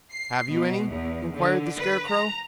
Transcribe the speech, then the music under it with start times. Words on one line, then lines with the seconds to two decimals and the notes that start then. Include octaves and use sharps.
"Have you any?" inquired the Scarecrow.
0.12 C7
0.52 B2
0.92 E2
1.37 D3
1.78 B4
2.09 A#5